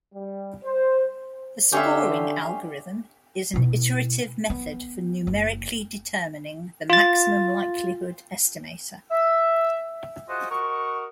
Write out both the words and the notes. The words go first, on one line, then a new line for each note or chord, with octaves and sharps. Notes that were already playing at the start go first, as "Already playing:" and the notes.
The scoring algorithm is an iterative method for numerically determining the maximum likelihood estimator.
G3
C5
D3 C#4 G4 C#5 E5 F5 C6
B2 E4
B3
F#1
F4 A6
E5
F4 F#4 G#4 C5 D#5 F#5
F#4 A#4 D#5 F#5 C#6